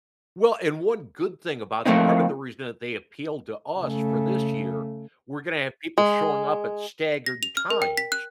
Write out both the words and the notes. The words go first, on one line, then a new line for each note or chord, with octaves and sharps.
Well, and one good thing about them, part of the reason that they appealed to us for this year, we're gonna have people showing up at staggered times.
F3 A3 A#3 C4 D#4
C#3 A3
G#3
A#6
F7
F6
A#4
G5
B6
F#6